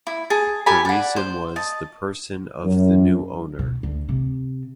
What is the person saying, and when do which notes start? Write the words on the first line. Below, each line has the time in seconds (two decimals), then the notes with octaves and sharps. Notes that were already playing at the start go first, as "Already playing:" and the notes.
The reason was the person of the new owner.
0.07 E4
0.30 G#4 A5
0.66 G4 A4 G#5 B5
0.85 D5 F#5
1.16 C5
1.56 D#5 A5
2.64 F#2
3.59 B2
3.83 D2
4.09 C3